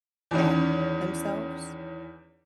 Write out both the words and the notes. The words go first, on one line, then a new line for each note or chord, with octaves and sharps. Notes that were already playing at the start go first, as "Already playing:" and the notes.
at themselves,
E2 D#3 C#4